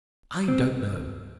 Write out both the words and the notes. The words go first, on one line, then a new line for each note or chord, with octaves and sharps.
I don't know.
C4